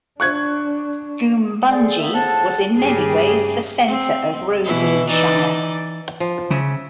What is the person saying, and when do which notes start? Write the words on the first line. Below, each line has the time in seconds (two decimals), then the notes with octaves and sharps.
Goombungee was in many ways the centre of Rosalie Shire.
0.20 D4 C#6 F#6 G#6
1.70 G#4 A4 C5 D5
1.98 D#3 A#3 B3 E5
2.13 A2 C4 G#4 F#5 A5
2.76 G2 C#3 G4 G#4
3.87 C4
4.65 B2 E3 E4
5.09 E3 D#4 D5
6.20 F3
6.51 C#3 E5